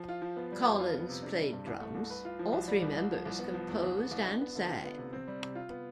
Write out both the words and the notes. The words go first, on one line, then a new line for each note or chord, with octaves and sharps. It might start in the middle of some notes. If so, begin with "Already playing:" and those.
Collins played drums; all three members composed and sang.
Already playing: F3
F4
F3
B3
G3
F2
F4
B3
C3
D4
G3
G2
C2
A3
C2
B4
F4
F3
C2
G3
C2
C2
F3
C2
B3
F3
E2
C2
B3
C2
D4
B3
D3
F4
B3
C3
C4
G3
C3
F4
B3